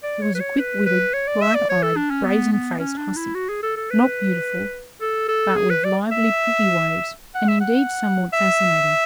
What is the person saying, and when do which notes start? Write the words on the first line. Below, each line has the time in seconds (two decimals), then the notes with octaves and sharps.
She was a quick-witted, bright-eyed, brazen-faced hussy, not beautiful, but with lively pretty ways, and indeed somewhat fascinating.
0.03 D5
0.22 C#5
0.35 B4
0.40 C#5
0.59 B4
0.86 B4
1.14 C#5
1.28 D5
1.41 E5
1.55 D5
1.69 C#5
1.83 A4
1.96 D4
2.10 C#4
2.25 B3
2.52 B3
2.79 C#4
2.98 D4
3.16 E4
3.35 F#4
3.49 G#4
3.63 A4
3.77 A4
3.90 B4
5.01 A4
5.28 A4
5.56 G#4
5.70 B4
5.84 D5
6.11 E5
7.35 F#5
7.48 E5
7.61 F#5
8.33 E5